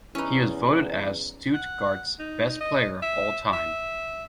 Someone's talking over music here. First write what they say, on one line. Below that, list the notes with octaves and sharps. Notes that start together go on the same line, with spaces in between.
He was voted as Stuttgart's best player of all time.
E2 C#4 D#4 E4 B4
F#5
D#4
D#5
E5
E5